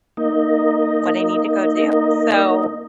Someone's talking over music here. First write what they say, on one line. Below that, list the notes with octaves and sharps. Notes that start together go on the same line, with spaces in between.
what I need to go do. So
A#3 D#4 D#5